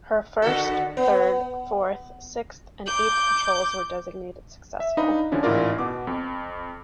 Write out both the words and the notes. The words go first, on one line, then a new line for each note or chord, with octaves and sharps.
Her first, third, fourth, sixth, and eighth patrols were designated successful.
D3 F#4 A4
B3
D6 G6
E5
D4 D#4 B4 D#5 F5 B5
D3 F3 C#4 D4 E4
A1 G#2 E4 F4 A#4 D5
B2 B3 D6
F2